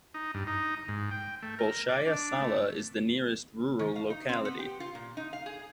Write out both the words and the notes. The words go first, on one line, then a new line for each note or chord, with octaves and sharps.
Bolshaya Sala is the nearest rural locality.
D#4
G2
D#4
G#2
G5
A3
A#4
D5
D4
A3
D#3
F5
D#4
C4
B3
G4
F4
A#2
D#4
F5
G#4